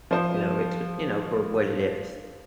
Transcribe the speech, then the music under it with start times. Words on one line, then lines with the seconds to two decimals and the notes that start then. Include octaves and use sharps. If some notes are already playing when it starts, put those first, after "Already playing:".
You know, it you know, for what it is.
0.11 F3 C5